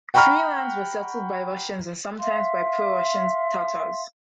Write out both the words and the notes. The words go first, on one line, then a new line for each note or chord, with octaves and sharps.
Free lands were settled by Russians and sometimes by pro-Russian Tatars.
F#5 G5 A#5 B5 C#6 F6
E5 F5 C6